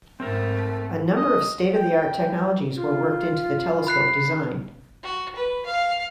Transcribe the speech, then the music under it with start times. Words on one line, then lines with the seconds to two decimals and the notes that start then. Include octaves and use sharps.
A number of state-of-the-art technologies were worked into the telescope design.
0.20 G#2 A3 C4 A4 A#4
1.17 D#5
1.74 G5
2.76 F4
3.87 B5 F#6 C7
5.03 F#4
5.36 B4
5.66 F5